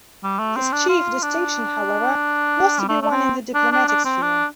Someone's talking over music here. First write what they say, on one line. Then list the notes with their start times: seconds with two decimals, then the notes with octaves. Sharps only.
His chief distinction, however, was to be won in the diplomatic sphere.
0.23 G3
0.39 A3
0.56 C4
0.73 D4
0.89 F4
1.23 D4
2.80 G3
2.89 A3
3.02 A3
3.11 C4
3.55 D4
3.72 D4
3.88 D4
4.05 C4
4.22 D4